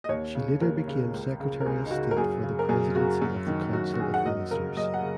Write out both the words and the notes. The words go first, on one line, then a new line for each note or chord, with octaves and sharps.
She later became Secretary of State for the Presidency of the Council of Ministers.
D#5
D#2 C#5
C#3
D#2 A#4
C#3
C#2
C#3
A#4
C#2 G#4
D#4
C#3 F#4
A#4
F#2 G#4
C#3
A#4
F#2 G#4
C#3 F#4
F#2
D#3
F#2 F#4
F#4
D#3 G#4
F#5
F#2 D#5
C#3 A#4
F#2 D#5
F#5
C#3